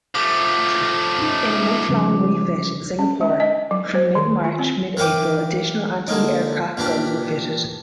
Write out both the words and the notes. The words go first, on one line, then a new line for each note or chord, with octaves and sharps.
In a month-long refit in Singapore from mid-March-mid-April, additional anti-aircraft guns were fitted.
F3 A3 D6
C#4 D#4
C#3 F3 G3
C#4
G#3
D#5
F#3
C5
D#3
F4
C4
E3 A#4 F5 G5 D6
D3 G#3 A#3 D#4
A#2 E3 D4 G4